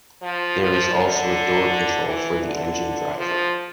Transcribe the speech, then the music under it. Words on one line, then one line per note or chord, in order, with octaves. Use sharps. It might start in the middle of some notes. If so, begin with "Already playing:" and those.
There is also a door control for the engine driver.
F3
F3
D3
E3
D3
F3